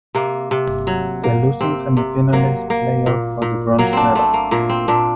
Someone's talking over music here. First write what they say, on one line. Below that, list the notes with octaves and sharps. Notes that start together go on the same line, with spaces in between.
The losing semifinalists play off for the bronze medal.
C3 A#3
C3
F#3
A#3
C3 C4
C3
F#3 A#3
A#3
A#2
A#2
F#3 A#3
C4 D4
A3 C4
A#3
A#2 A#3
C4
A#2 D4